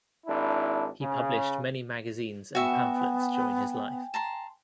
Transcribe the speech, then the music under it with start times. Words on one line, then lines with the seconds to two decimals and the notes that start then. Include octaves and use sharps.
He published many magazines and pamphlets during his life.
0.26 G#1 D4 E4
1.00 C#3
2.55 B3 F#4 E5 G5 G#5 C#6
4.14 A5 A#5 C6